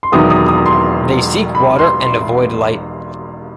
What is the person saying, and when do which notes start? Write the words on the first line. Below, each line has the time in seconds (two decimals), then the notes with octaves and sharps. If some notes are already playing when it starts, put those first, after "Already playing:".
They seek water and avoid light.
0.03 C6
0.12 E1 E2 D#3 F#3 D#6
0.30 D#6
0.48 D#6
0.66 C6
1.55 B5
1.79 C6
2.02 C6